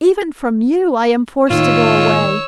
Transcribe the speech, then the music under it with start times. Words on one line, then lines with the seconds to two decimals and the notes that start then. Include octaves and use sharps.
Even from you I am forced to go away.
1.50 A2 D#3 A#3 F4 C#5 E6